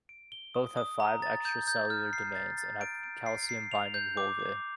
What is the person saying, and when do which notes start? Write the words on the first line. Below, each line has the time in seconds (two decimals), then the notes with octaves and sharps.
Both have five extracellular domains, and have calcium-binding vulvae.
0.09 D7
0.32 G7
0.54 D#6
0.77 D#6
1.00 A#5
1.22 A6
1.45 G6
1.68 G6
1.90 F6
2.13 C7
2.35 A6
2.58 A6
2.81 D7
3.03 D7
3.26 C7
3.49 C7
3.71 F7
3.94 G6
4.17 D6
4.40 D6